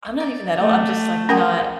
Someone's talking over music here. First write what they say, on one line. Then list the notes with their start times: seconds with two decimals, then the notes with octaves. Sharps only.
I'm not even that old. I'm just, like, not
0.20 D5
0.60 A3
1.29 C#4 F#4 G#4 A#4 C5 G5